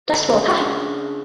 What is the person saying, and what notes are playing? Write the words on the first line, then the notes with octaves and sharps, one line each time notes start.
Dust Bowl Ha!
D3
C#3
D4